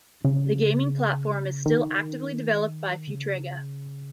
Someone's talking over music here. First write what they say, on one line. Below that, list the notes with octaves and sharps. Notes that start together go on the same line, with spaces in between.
The gaming platform is still actively developed by Futrega.
C#3
D#3
C#3